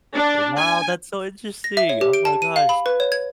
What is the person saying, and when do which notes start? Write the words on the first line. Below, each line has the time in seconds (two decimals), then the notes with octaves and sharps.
Wow, that's so interesting. Oh my gosh,
0.15 D4
0.58 G#5
1.64 A#6
1.77 E5
1.89 C#5
2.01 G4
2.13 D7
2.25 A5
2.42 D#7
2.56 F5
2.69 B5
2.86 B4
3.00 C#5
3.12 G#6